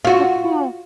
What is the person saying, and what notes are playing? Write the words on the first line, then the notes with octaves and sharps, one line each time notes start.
Oh, cool.
F4 F#4